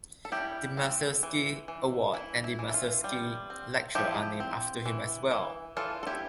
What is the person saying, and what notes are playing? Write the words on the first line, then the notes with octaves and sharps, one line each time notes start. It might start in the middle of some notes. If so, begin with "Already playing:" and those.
The Masursky Award and the Masursky Lecture are named after him as well.
A4
G3 E4 G4
C4
E3
E3
E3 E4
E4
E3
E4
F4
G3
C4
F3 E4 G4
C4
E3
E3
E3 F4 A4
A4
E4 G4